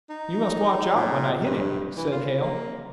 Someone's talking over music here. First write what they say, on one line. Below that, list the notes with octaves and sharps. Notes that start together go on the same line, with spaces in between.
"You must watch out, when I hit him," said Hale.
D#4
A#2
G2
E3
F4
A#3